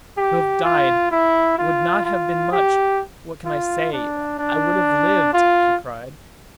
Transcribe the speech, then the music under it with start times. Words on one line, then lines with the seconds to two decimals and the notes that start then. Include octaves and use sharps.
'To have died, would not have been much--what can I say?---I would have lived!' she cried.
0.18 G4
0.64 F4
1.11 E4
1.58 F4
2.05 F4
2.52 G4
3.46 F4
3.93 D4
4.39 D4
5.33 F4